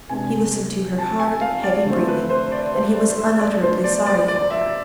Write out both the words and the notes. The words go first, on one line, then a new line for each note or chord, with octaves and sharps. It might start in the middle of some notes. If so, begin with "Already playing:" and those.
He listened to her hard, heavy breathing, and he was unutterably sorry for her.
C3 G#3 B3 D4 G#5
A5
G#5
F5
D5
D3 A3 C4
B4
C5
D5
C5
D5
E5
D5
B2 A3 D4 C5
D5
D5
D5
E5